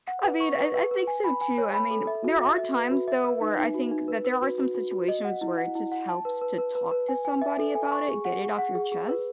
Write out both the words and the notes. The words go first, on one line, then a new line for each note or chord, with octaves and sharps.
I mean, I I think so too, I mean, there are times, though, where I think that there are some situations where it just helps to talk to somebody about it, get it off your chest,
F#5
B4
C#6
B4
B4
B4
G#5
B5
G#5
C#5
B5
A4
E5
F#4
E5
E5
B4
F#4
E5
B4
D#4
D#4
F#4
D#4
B4
B4
F#4
F#4
F#4
F#4
D#5
F#5
E4
F#5
E4
F#5
A5
B4
B4
B4
B4
B4
G#5
G#5
E5
A4
G#5
C#6
G#4
F#5
G#4
F#5
G#4
G#4
B4